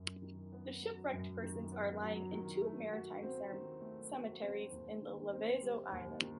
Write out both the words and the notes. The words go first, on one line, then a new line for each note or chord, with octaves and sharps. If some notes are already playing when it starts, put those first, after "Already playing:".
The shipwrecked persons are lying in two maritime cemeteries in the Lavezzo island.
Already playing: F#2
D#3
B3
F#3
F#2
D#3
B3
F#3
D#3
A3
F#4
C4
D#3
A3
F#4
C4
D#2
D#3
C4
G3
D#2
D#3